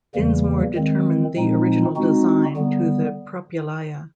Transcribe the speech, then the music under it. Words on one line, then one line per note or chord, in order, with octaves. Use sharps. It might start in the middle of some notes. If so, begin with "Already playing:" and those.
Dinsmoor determined the original design to the Propylaia.
E2 C#3 E3 G3 A#3
D#3 G#3 C4
A#2 F3 G#3 C4 D#4
G#3 C4 D#4 F#4
D3 G3 B3